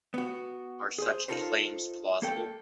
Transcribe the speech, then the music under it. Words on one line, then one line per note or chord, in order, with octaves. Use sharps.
Are such claims plausible?
B3 F#4
G#4 C5
D#4 F4 A4 A#4 C5
A#3 A4 G5